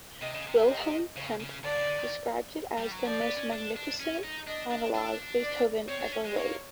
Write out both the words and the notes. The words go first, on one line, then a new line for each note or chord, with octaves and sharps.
Wilhelm Kempff described it as "the most magnificent monologue Beethoven ever wrote".
C3 D#5
C#3
C3
D#5
C#3
C#3
D3 D5
C#3
D3
D#3
G3
F#3
F3 D5
B3
C#4
D4
D4
C#4
D#4
D4 D#5
D4
D4
D5
C4 C#5
D4
C#4
G#3
A#3 C#5